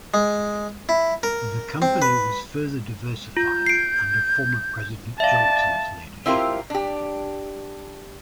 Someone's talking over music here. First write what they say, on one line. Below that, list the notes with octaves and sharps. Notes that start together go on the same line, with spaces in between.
The company was further diversified under former president Johnson's leadership.
G#3
E4
A#4
C4
B4
F4 G6
C7 D7
D5 E5 F5 A5
C4 E4 F4 G4 A#4
D4 G4